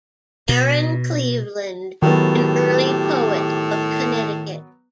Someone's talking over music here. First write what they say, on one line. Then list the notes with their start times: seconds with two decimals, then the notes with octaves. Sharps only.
Aaron Cleveland, an early poet of Connecticut.
0.49 B2
2.02 A2 D#3 F#3 B3 G4